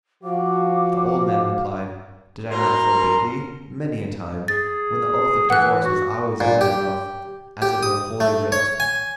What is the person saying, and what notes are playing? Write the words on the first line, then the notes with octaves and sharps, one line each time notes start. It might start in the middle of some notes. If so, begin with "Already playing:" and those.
The old man replied, "Did I not forbid thee, many a time, when the oath of divorce was always in thy mouth, as it were Holy Writ?"
F3 F#4 F5 D6
B2 A#4 A#5 C6
G#4 A6
E3 F#5 F#6
F#4
A#2
G4
G4
D#6
A3
C#5
G#5